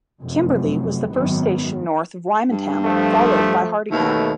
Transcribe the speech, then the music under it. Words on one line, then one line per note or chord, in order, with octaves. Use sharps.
Kimberley was the first station north of Wymondham followed by Hardingham.
F1 F#2
G#1 F#2 D#3 B3
G2
F3 A3
D#2 B2 A3